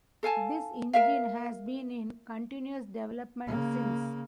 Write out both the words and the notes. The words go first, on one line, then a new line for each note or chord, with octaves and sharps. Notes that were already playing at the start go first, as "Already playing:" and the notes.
This engine has been in continuous development since.
A4 F5 G#5 A5
A#4 E5 F5
C#3 A#3